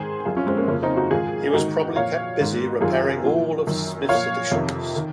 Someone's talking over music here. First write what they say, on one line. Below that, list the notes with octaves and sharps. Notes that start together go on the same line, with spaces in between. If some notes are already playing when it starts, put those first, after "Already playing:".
He was probably kept busy repairing all of Smith's additions.
Already playing: G#2 D#3 G#4 C5
F#2 F3 F4 G#4
C#4 F4
G#3 C4
A#3 C#4
F2 C#3 F3 A#3 C#4
C4 D#4
D#4 F#4
G#2 D#3 F4 G#4
G#2 D#3 D#4 F#4
A#2 F3 C#5 F5
G#2 D#3
F#2 D#3 F4 G#4
A#2 F3
F#2 D#3
F3 C#5 F5
A#2
F2 C3 D#3
D#3